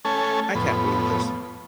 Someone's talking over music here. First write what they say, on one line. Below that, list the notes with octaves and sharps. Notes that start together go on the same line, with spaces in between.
I can't believe this.
A3 C#4 A4 G#5
F2 A2 B3